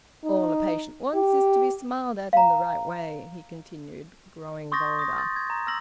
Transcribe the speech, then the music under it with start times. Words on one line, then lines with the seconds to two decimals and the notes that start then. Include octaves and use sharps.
"All a patient wants is to be smiled at in the right way," he continued, growing bolder.
0.24 D#4
1.15 G4
2.33 F5 A#5
4.72 C6 C#6 D#6 G6 A6 A#6
4.99 D#6 A#6
5.18 C6 G6 A6
5.36 G#6
5.50 A#5
5.67 A#5 E6 F6 A#6 F#7